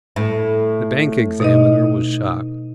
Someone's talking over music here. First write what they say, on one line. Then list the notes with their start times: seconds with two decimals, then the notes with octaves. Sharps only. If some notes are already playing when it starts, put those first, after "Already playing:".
The bank examiner was shocked.
0.16 A2
1.40 B2 D#4 D#5